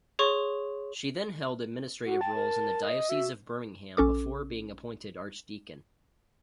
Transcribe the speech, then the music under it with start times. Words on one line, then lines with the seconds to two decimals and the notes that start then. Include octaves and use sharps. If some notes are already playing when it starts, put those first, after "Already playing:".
She then held administrative roles in the Diocese of Birmingham before being appointed archdeacon.
0.19 G#4 C#5 C6 C#6
2.06 F#4
2.21 G5 A5
2.35 A#4
2.83 D#5
3.09 F#4 E5
3.97 A#1 C#4 A4 D6